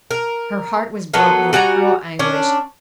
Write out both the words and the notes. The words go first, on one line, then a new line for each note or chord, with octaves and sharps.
Her heart was broken with cruel anguish.
A#4
F#3 B3 A4 A#4
G3 F#4 G#5 A#5
C#4 D4